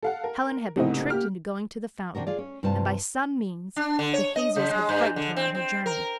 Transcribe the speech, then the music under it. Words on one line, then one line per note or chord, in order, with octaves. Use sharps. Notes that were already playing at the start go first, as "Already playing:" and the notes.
Helen had been tricked into going to the fountain, and by some means the hazers had frightened her on her journey.
A4 F5 F#5
A#4
F#1 C2 A2 C4 D#4 D#5
A#3 G4 F6
C3 D4 F#4 A#4
F4 G#4 D5
C#4
G2 C3 E4 F4 C5 A5
D4
D3
C#5
D#5
C#3
G#3
G2
D3
C4
C4
A#4